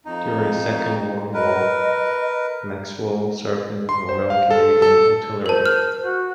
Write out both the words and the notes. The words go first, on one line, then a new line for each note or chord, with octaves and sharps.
During Second World War, Maxwell served in the Royal Canadian Artillery.
F2 D#4
A#4 B4 D#5
C6
C5
F5
A4
A4
A#4 C5 A5
F6
F#4